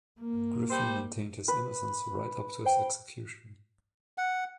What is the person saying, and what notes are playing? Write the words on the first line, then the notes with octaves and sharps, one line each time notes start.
Griffin maintained his innocence right up to his execution.
A#3
G3 C5
B4
C5 G5
F#5